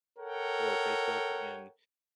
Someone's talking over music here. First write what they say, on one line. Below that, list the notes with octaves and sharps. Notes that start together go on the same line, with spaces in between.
or Facebook, and
A4 A#4 C#5 F#5 G5